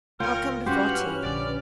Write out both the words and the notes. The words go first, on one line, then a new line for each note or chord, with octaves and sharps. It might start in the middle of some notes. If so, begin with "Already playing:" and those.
I'll come before tea.
C#2 A#3 C#4 F4 A#4 G5
G2 C#4 F#4 G4 B4 C5 F6
A#1 D3 D5